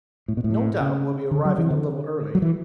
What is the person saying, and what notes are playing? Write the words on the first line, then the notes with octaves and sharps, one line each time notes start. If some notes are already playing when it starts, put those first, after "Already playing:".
No doubt we'll be arriving a little early.
A2
B2
A2
C#3
D3
F#3
E3
D3
F#3
E3